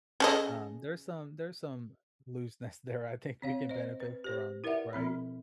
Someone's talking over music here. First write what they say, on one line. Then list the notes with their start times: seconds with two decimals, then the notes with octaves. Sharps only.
um, there's some there's some looseness there I think we can benefit from, right?
0.20 C#3 A4 D#5
3.42 C4 C#5 F5
3.69 C5 D#5
4.00 B4
4.24 G4 C5
4.64 E4 A#4 B4 D5 E5 F#5
4.93 B2 F3 C4 B5